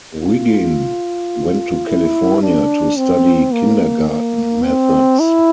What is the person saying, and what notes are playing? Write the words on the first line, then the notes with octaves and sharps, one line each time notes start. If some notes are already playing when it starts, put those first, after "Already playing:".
Wiggin went to California to study kindergarten methods.
F4
E4
D4
C4
A#3
A#3
C4
E4